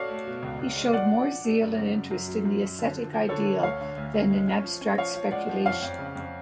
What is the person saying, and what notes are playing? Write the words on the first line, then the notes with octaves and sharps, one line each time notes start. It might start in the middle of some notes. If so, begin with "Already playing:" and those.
He showed more zeal and interest in the ascetic ideal than in abstract speculation.
Already playing: F#4 A4 C#5 D5 F5
A3
B2
C#2
C#2
G#3
F3 D5 F#5
D4
D4
A3
F#2
C#3
F#2
F#2
F#3
F#2
F#3
D3
F3
F3
D3 A4 C#5
D3
D2 C#5 F5
D3
D2
D2
G#3
C#4
F3
C#4
F3 C#5 F5
F3
G#3 D5 F#5
F3
F2 C#5 F5
F2
C#3
F2